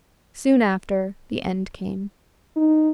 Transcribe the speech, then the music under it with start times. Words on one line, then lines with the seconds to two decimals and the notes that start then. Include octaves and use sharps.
Soon after, the end came.
2.56 D#4